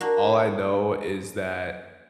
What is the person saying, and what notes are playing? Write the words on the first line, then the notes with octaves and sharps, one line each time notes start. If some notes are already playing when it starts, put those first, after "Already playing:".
all I know is that
A#3 D4 F#4